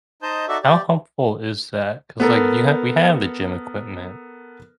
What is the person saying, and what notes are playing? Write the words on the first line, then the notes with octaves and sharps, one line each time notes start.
how helpful is that? 'Cause, like, you ha we have the gym equipment,
D#4 C5 D#5 A5 G6
D#4 F#4 A4 D5 E5
G4 D5
B3 A4 A#4